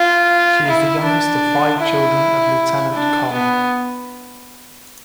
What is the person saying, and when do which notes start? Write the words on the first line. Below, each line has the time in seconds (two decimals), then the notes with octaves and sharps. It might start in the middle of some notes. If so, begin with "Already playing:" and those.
She is the youngest of five children of Lt.-Col.
Already playing: F4
0.67 E4
1.04 D4
1.80 E4
2.94 D4
3.33 B3